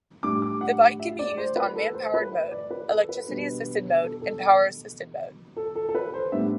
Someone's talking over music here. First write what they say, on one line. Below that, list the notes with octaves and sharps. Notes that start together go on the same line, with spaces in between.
The bike can be used on man-powered mode, electricity-assisted mode and power-assisted mode.
A2 G3 D4 D6
D6
F#5
E5
D5
C5
B4
A4
C5
B4
E5
D5
B4
A4
B4
B2 G3 D4
A4
A4
A4
A4
A4
B4
C5
A2 G3 B3 D4 E5